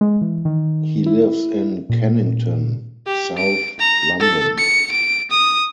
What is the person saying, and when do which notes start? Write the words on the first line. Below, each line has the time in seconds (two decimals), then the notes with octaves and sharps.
He lives in Kennington, south London.
0.01 G#3
0.21 E3
0.45 D#3
1.06 E4
1.89 A#2
3.06 G4
3.38 D7
3.79 A#5
4.20 A4
4.58 C#7
4.91 D7
5.30 D#6